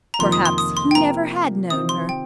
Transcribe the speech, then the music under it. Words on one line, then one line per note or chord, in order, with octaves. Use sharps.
Perhaps he never had known her.
A#5
F2 C3 D#3 A#3 F4 C6
D#6
C6
D#6
C6
G5
C3 F3 A#3 A#5
C3 D#3 C4 F4 D#6
C6
G5